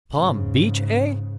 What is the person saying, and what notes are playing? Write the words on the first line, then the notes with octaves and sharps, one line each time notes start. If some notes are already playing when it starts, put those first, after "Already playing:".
"Palm Beach, eh?"
G#2 C#3